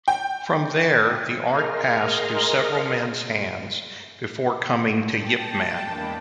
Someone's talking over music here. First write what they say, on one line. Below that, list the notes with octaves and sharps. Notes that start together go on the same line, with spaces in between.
From there, the art passed through several men's hands before coming to Yip Man.
G5
G#4 A#4 D#5 A#5 C6 F6
G5 A5
E2 G#3 A#3 D4 B5 D6